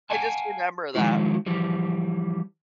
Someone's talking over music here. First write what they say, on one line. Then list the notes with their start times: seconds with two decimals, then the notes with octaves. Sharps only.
I just remember that.
0.10 F5 F#5 G#5 A5
0.95 D#3 F3 F#3 G#3 E4 F4
1.46 E3 F3 G3